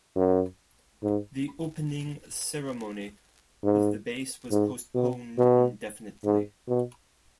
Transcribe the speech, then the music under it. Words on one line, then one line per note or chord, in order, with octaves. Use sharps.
The opening ceremony of the base was postponed indefinitely.
F#2
G#2
G#2
G#2
B2
B2
G#2
B2